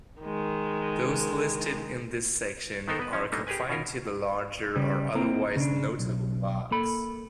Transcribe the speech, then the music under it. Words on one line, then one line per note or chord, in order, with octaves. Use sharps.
Those listed in this section are confined to the larger or otherwise notable lochs.
D#3 G#3
D#3 B3 D#4 A4 A#4 C5
B3 B4
F3 C#4
G3 A3 A#3 D4 D#4
G4 G#4 A#4 B4 G#5
B2 C#4 F4 A#4
C#3 G3
A#3 C4 E4 A#4
C#3 D4
B1
A#3 A4 B5